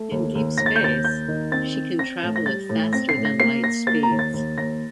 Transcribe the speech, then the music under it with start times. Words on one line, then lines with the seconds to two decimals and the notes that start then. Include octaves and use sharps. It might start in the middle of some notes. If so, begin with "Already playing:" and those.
In deep space, she can travel at faster-than-light speeds.
Already playing: A3
0.11 D#2
0.35 D#2
0.58 D#2 A#6
0.66 A6
0.76 G6
0.82 D#2 A6
1.04 D#2 G6
1.28 D#3
1.51 C4 A6
1.76 C4
1.99 C4 A#6
2.23 A2
2.36 A#6
2.46 G3 A6
2.70 A2
2.93 C4 A#6
3.09 C7
3.17 A2
3.25 A#6
3.40 A#3 C7
3.63 A#3 A#6
3.87 A#3 A6
4.03 A#5
4.11 D#2
4.19 A6
4.34 D#2
4.58 D#2 A#6